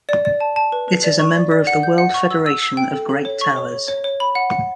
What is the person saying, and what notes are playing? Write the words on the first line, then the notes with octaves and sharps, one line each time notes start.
It is a member of the World Federation of Great Towers.
D5
D5
A5
A5
B4
B4
D5
C#6
D5
D5
F#5
G6
F#5
C#6
E6
E6
E6
G5
A4
A4
C#5
C#6
C#5
C#5
C#5
C#5
B5
F#5
F#5